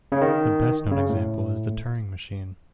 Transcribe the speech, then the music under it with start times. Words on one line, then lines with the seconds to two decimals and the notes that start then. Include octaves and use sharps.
The best-known example is the Turing machine.
0.12 C#3
0.21 D#3
0.91 C#3
1.09 A2